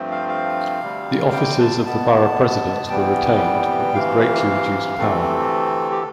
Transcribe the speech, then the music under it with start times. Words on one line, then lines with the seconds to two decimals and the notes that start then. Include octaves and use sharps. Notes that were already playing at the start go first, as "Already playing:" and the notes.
The offices of the borough presidents were retained, but with greatly reduced power.
Already playing: G2 F3 A3 C4
0.11 F5
0.29 F5
0.81 D2 C3 G3
1.32 G5
1.59 A5
1.85 B2 B3 A5
2.90 C3 E3 G3 B3 G5
3.94 D2 C3 E3 F5
4.98 D2 C3 E3 A3 C4 A4
5.91 G4